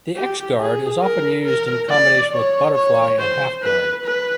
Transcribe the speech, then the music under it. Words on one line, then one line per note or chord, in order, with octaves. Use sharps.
The x-guard is often used in combination with butterfly and half guard.
G4
G#4
A#4
A#4
D5
C#5
C#5
C5
B4
B4